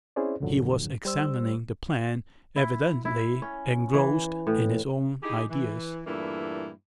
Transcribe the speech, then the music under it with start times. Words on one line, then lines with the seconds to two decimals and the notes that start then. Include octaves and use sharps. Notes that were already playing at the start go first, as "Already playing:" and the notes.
He was examining the plan, evidently engrossed in his own ideas.
0.16 C4 C#4 E4 G#4 C5 D5
0.40 C#2 F#2 A2 D3 F3 F#3
1.05 G3 C5 E6
2.56 E4
3.05 E4
3.42 C#4
3.94 E3
4.47 A2
5.23 D#4 E4 G4 G#4
5.50 E3
6.06 G2 A#2 E3 A3 A#3 E4